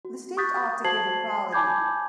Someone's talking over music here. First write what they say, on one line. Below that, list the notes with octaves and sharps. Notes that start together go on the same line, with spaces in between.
The state ought to give equality.
F#4
C#6 D#6 F#6 G6 A6 B6
F#4 C5 A5 G#6 C7 F#7
G#5 A5 B5 D6 G6 G#6